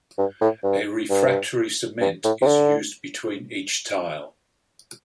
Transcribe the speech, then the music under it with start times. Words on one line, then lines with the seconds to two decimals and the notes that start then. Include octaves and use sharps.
A refractory cement is used between each tile.
0.18 G2
0.41 A2
0.64 G2
1.10 G2
2.01 G2
2.24 A2
2.42 C3
2.47 D3